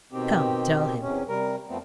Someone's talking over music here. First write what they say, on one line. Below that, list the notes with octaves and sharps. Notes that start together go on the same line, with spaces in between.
Come, tell him.
B2 D#3 C4 G4
E2 C3 C#4
C3 G3 A#4
F2 F3 A3 B3 C4